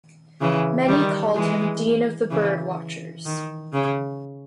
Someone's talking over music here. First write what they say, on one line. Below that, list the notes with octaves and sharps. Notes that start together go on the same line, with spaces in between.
Many called him Dean of the Birdwatchers.
C#3 E3
D#3 G3
E3 G#3
C#3 E3
D#3
C#3